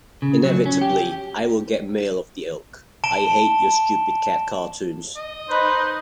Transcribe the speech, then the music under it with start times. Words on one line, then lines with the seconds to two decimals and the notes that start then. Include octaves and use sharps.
Inevitably, I will get mail of the ilk, 'I hate your stupid cat cartoons!
0.22 C#3
0.44 F#3
0.66 C#4
0.81 G4
3.04 A5 D7 E7 G7
5.16 D#5
5.49 D#4 B4 C5